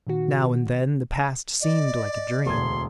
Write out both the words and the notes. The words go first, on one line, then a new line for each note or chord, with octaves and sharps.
Now and then the past seemed like a dream.
A#2 D#3 F#4
D5 D#5
E1 D2 C6 G#6